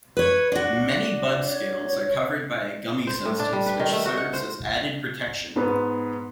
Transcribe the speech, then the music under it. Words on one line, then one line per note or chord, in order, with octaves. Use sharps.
Many bud scales are covered by a gummy substance which serves as added protection.
B4 C#5
D4 F#4
C#5
C5
A2
D4
G3
B4
D#3
A3
F#4
F#5
C5
G#2 B3 B4